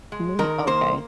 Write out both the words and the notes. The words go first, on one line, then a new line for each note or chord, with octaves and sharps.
Me Okay.
G#3
D#3 A#4
A#3 C5